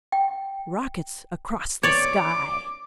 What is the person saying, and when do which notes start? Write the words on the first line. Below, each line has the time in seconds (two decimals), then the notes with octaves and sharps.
Rockets across the sky!
0.12 G5
1.83 C#5 D5 D6